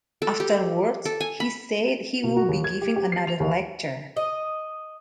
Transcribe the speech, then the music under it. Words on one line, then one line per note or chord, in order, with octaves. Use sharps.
Afterwards, he said he would be giving another lecture.
A4
G4
A4
G#5
B5
B2
F#4
D#2
G#6
G4
G4
C7
F7
D#2
D#5